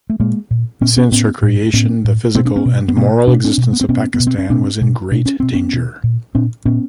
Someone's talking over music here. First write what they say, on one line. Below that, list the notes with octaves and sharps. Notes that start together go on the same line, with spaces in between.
Since her creation, the physical and moral existence of Pakistan was in great danger.
A3
A#2 G#3 A#3
A#2
A#2 B3 C#4
B3 C#4
A2 B3 C#4
A2
A2 B3 C#4
A2
B2 A#3 C4
C4 D4
B3 C#4
B2
B3
B2 A#3 C4
B2 D4
C4 D4
B2
B3
C4
B2 B3 C#4
B3
B2
C4
C#4
B2 C4 D4
B2
B2 D4
C#4
B2 C4
B3 C#4
B2
A#2
A#2 C4 D4
A#2 B3 C#4